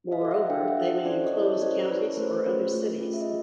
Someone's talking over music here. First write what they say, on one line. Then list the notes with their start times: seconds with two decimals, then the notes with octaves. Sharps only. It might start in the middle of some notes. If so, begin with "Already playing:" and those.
Moreover, they may enclose counties or other cities.
0.12 D#5 F5
0.21 F#4 A4
0.31 E5 F#5
0.50 D4 F5 G5
0.68 E5 F#5
0.77 F#4 A4
1.05 C#4 C5 D5
1.24 C#5 D#5
1.34 E4 A4
1.43 C#5 D#5
1.61 C#4 C5 D5
1.89 E4 A4 B4 C#5
2.17 A3 A#4 C5
2.37 C5
2.45 C#4 F4 G#4 B4 C#5
2.73 A3
3.01 C#4 F4 G#4
3.14 E5
3.21 D#5